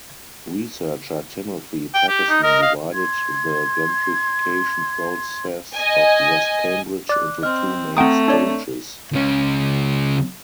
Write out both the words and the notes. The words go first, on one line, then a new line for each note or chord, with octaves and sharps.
Researcher Timothy Pattison divided the gentrification process of West Cambridge into two main stages.
G5
G4
D#4
A#4 D#5
F5
C6 G#6
D#5 G#5
D5 D6 F#6
C4 D#5 F6
A3 C4 F#5 G5 A#5 D#6
D4 C#5 D5
C#2 C#4